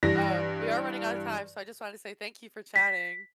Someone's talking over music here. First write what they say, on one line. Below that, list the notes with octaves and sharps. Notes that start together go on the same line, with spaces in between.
Uh, we are running outta time, so I just wanted to say thank you for chatting.
G2 E3 A#6
B6